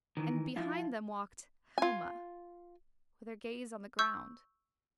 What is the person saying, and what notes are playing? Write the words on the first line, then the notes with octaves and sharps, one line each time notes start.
And behind them walked--Helma, with her gaze on the ground.
D#3 E3
F3 E4 F4
F4 G#5
C#6 E6 G6